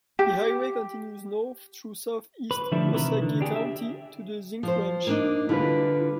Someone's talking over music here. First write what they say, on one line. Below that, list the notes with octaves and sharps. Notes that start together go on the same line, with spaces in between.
The highway continues north through southeast Osage County to the Zink Ranch.
G4
B4
D3 F3 G3 A3 D4 E4
C3 D#3 E3 E4 A#4 B4
D3
D4 G4 G#4
G4 E5
F3 C5
A#3 D4 D#4
D3 G3 E4 F4 B4